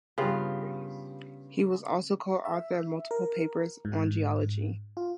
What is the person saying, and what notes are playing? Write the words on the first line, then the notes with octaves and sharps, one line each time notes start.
He was also co-author of multiple papers on Geology.
G2 C#3 B3 F4 G4
E5
A#4
G#2
F4